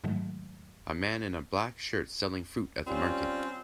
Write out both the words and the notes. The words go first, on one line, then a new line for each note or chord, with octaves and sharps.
A man in a black shirt selling fruit at the market.
G#2 D#3 F#3 G#3 A3
G3 C4 C#4 F4